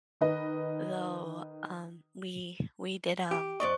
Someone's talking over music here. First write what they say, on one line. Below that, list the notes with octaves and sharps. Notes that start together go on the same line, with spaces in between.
though, um, we we did, um,
D#3 B4 D#5
G4
F2 C5 D5 D#5 C#6